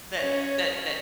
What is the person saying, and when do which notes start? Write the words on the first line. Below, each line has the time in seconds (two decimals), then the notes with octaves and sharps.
that's that that
0.17 C#4 C#5